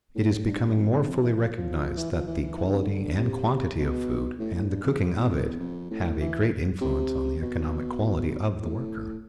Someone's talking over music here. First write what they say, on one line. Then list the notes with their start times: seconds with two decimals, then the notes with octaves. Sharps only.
It is becoming more fully recognized that the quality and quantity of food, and the cooking of it, have a great influence on the economic quality of the worker.
0.15 A2
0.46 G2
0.76 F2
0.91 E2
1.01 G2
1.07 F2
1.22 E3
1.37 F3
1.57 F3
1.97 E3
2.12 F3
2.27 E3
2.42 E3
2.58 E3
2.66 D3
2.74 C3
2.82 D3
3.18 C3
3.79 B2
4.39 A2
4.54 A2
4.70 G2
4.84 F2
5.00 F2
5.14 E2
5.30 F2
5.44 E2
5.59 F2
5.90 A2
6.20 E3
6.81 C3
7.42 B2
8.62 A2